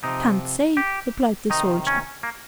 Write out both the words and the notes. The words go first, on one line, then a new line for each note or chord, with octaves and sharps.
"Can't say," replied the soldier.
C3 F3 D#4
G4
C3 D#3 D#4
C#4
A#3